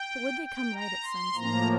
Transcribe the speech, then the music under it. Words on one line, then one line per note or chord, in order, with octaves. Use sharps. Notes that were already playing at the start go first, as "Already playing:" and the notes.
'But would they come right at sunset?'
Already playing: G5
G5
A#5
C6
A2 F3 A#3 A#5